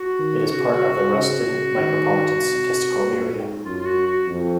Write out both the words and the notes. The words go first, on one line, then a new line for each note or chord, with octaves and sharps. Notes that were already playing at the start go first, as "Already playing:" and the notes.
It is part of the Ruston Micropolitan Statistical Area.
Already playing: F#4
D#3
C#3 F#4
F#4
F#4
C#3 F#4
C#3
D#3
C3
A#2
G#2
F#2 F4
F4
F#4
F#4
F2